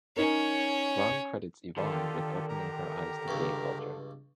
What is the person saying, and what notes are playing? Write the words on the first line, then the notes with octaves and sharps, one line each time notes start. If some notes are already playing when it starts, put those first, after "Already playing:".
Grahn credits Yvonne with opening her eyes to gay culture.
C#4 D#4 A#4 C#5
D3 D#3 F4 G4 A4
G4 A#4 A#5
C#2 G2